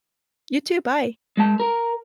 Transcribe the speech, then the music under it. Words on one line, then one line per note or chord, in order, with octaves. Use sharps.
You too. Bye.
G#3 A5
A#4